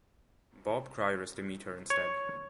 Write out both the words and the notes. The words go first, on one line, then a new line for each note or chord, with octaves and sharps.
Bob Cryer is to meet her instead.
C#5